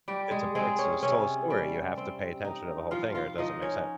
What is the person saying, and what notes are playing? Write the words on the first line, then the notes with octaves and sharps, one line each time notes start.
it's a b it's a soul story. You have to pay attention to the whole thing or it doesn't make sense.
G3 G4
G#3 G#4
G#3 C4 G#4
C#4 C#5
C3 C#4 C#5
G3
C4
D#4
F3 F4 F5
F4 F5
F3 D#4 D#5
C#4 C#5